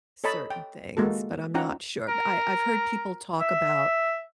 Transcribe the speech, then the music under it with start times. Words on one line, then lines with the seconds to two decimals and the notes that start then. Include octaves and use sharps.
certain things, but I'm not sure. But I I've heard people talk about
0.24 A4 C#5 D#5 A5 B5
0.50 G5
0.97 G#3 A#3 F#4 A4
1.54 C#4 D#4 F4 F#5 G5 A#5
2.08 A#4
3.41 E5